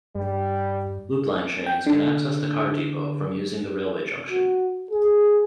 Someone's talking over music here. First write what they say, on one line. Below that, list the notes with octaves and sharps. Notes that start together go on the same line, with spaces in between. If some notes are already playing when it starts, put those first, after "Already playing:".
Loop Line trains can access the car depot from using the railway junction.
G2 G3
G5
D3
F#4
G#4